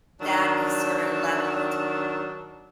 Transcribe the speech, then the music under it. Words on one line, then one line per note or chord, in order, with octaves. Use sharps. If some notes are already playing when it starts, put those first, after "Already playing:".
That is sorta leveled
D#3 F#3 D4